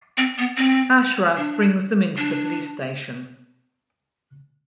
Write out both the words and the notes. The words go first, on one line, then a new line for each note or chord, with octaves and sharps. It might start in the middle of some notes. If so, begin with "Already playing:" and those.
Ashraf brings them into the police station.
C4
B3
C4
D4
D4